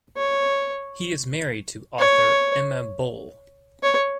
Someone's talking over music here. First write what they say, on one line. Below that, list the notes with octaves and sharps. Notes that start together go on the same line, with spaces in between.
He is married to author Emma Bull.
C#5
C#5
C#5